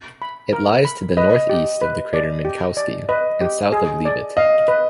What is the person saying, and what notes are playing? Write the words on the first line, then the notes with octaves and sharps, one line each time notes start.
It lies to the northeast of the crater Minkowski, and south of Leavitt.
B5
A#4
B5
B4 D#5
G4
B4
D5
G4
D5
B4 D#5
G4
G#4
D5
D#5 F5
B4